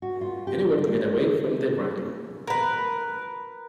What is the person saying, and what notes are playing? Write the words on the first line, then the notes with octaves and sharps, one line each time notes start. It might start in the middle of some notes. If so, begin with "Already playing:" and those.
Anywhere to get away from that wrangling.
F#4
F4
G4
G#3
A#4 B4